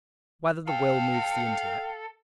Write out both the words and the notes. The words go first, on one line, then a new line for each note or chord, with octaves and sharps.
Whether the Will Moves the Intellect?
A4 F5 G5